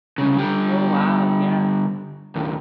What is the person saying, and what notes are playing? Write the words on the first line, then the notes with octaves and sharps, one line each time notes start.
Oh, wow, yeah.
C2 C#3
D3 G3
D#2 A2